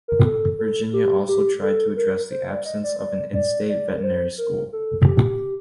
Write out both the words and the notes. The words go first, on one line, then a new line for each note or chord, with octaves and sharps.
Virginia also tried to address the absence of an in-state veterinary school.
A#4
A4
A4
G4
G4
A4
A#4
C5
D5
D#5
D5
D5
D5
D5
A#4
C5
A#4
A4
G4